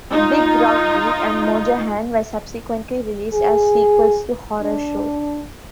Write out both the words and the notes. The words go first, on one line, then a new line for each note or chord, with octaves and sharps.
"Big Rock Beat" and "Mojo Hand" were subsequently released as sequels to "Horror Show".
D#4 F4
G#4
D4